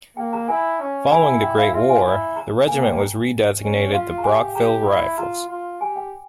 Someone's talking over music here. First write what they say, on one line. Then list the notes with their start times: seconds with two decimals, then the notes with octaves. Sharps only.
Following the Great War, the regiment was redisgnated The Brockville Rifles.
0.17 A#3 G5
0.33 A#5
0.48 E4 G#5
0.80 C#4
1.11 E4 G#5
1.21 G#5
1.42 G5
1.58 F5
1.73 F4 E5
1.89 G#5
2.05 E4
2.36 A#5
2.67 A#3 G#5
2.83 G5
2.99 A#5
3.61 C#4
3.92 F4 F5
4.18 A#5
4.24 G4 G#5
4.55 G4 A#5
4.86 E4
5.18 F4 A#5
5.49 F4
5.80 G4 G#5
5.96 G5